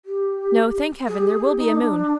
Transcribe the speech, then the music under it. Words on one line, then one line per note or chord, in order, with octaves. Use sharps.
No, thank heaven, there will be a moon.
G4
G#4
G4
G#4
G4
D#4
D4